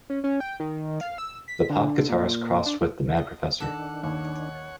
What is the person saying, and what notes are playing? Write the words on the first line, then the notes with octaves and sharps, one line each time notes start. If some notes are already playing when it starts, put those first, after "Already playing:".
The pop guitarist crossed with the mad professor.
C#4
C#4
G5
D#3
F5
E6
B6
D3
A#2
D4
D#5
D#3 D4 A4 F#5
D#2 C#5 F#5